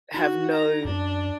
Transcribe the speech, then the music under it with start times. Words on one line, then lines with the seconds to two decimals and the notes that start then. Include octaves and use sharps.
have no
0.14 D#4 F#4
0.54 A#5
0.85 F#2 D4